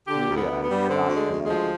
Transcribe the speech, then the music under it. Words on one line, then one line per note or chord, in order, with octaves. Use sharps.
Yeah, and you're not gonna
D3 G4
D2
B3
D2
B3
G3
D3 C4
D2
G#3
D2
G#3
F3